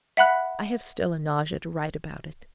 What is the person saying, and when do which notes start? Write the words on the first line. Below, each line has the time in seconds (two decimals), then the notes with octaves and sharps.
I have still a nausea to write about it!
0.17 E5 F#5 B5 F#6